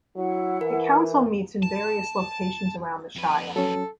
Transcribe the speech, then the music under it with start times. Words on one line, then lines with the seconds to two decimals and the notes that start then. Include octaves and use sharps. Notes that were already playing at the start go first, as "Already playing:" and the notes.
The council meets in various locations around the Shire.
0.16 F#3 E4 F#5
0.61 E3 A#4
1.63 A5
3.16 F2 B4
3.56 F#3 C#4 A4